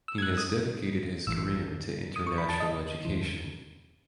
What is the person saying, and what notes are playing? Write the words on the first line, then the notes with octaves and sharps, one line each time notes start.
He has dedicated his career to international education.
E6
G#6
F#6
D#6
A1 A2 E3 E6
D#6
C#6
B5
A5
D#5
E2 C#3 E3